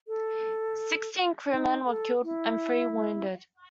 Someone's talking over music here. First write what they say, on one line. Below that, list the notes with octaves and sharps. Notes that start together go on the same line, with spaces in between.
Sixteen crewmen were killed and three wounded.
A4
D#4
A4
E4